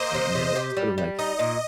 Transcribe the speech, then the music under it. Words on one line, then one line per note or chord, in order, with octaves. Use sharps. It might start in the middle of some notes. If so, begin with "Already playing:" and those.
um, you know, sort of like,
Already playing: A#3 C5 D#5
C3
C3
G4
G3
G3
D#4 D#5
A#2